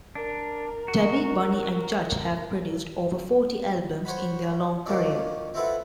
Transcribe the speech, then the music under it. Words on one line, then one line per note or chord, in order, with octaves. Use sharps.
Tabby, Bunny and Judge have produced over forty albums in their long career.
D4 A#4
F#4
C5 C#5 F#5 B5
D#3 F3 F#3 A#3 C#4 D4
C4 E4 F4 A4 B4 F#5